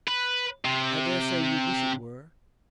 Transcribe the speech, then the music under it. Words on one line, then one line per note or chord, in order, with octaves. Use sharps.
"I dare say you wish it were."
B4
C3